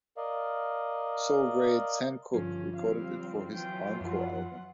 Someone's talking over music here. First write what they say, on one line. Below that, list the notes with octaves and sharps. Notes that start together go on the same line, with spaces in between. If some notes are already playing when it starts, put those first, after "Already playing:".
Soul great Sam Cooke recorded it for his "Encore" album.
A#4 D5 D#5 F5
G2 D3 F3 C#4
G3 C4 F5
E3 F#3 F4 G5
F#2 F3 F#5